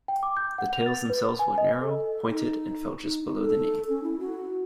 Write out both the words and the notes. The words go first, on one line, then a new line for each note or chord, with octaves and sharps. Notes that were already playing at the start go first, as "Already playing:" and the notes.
The tails themselves were narrow, pointed, and fell just below the knee.
G5
D6
G6
F#5
F7
A6
B4
G#5
D#5
A4
D#4
D#4
D#4
A4
C#4
E4
F#4